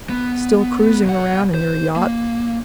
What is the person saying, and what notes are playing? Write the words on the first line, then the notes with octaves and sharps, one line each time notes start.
"Still cruising around in your yacht?"
B3
B2 F#5
C5
A#3